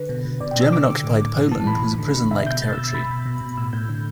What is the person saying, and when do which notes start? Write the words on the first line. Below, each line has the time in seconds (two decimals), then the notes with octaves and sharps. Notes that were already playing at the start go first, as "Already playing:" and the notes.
German-occupied Poland was a prison-like territory.
Already playing: D3 B4
0.09 B2
0.25 B2
0.41 B2 D5
0.51 G5
0.56 B2 E6
0.72 D3 D6
0.88 D3
1.04 A2
1.19 A2
1.35 E3
1.51 E3 A5
1.67 A2 B5
1.83 A2
1.98 D3
2.15 D3
2.31 B2 E5
2.46 B2 G6
2.62 B2 A6
2.73 E6
2.78 B2
2.84 E6
2.94 B2 B5
3.10 B2
3.26 B2
3.41 B2
3.57 A2 E6
3.73 A2 G6
3.89 D3